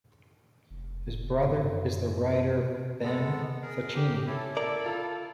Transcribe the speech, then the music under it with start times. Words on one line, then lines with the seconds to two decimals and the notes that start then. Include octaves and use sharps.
His brother is the writer Ben Faccini.
0.71 F1
1.46 G#2
1.60 F#2
2.58 B2
3.03 G#3 B3 A4
3.62 G#4 A#4
3.93 G4
4.26 C#4 E4 A4
4.57 A4 A#4 D5
4.86 F4